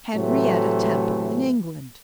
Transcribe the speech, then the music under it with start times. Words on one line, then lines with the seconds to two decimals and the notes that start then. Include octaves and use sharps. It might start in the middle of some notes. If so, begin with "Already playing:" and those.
Henrietta Temple in England!
0.14 A2 C3 E3 F#3 A3